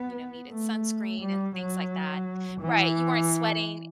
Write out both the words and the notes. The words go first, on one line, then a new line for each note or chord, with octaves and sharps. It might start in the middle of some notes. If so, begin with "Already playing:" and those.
you know, needed sunscreen and things like that. Right, you weren't sweating
Already playing: B3
A3
G3
F#3
E3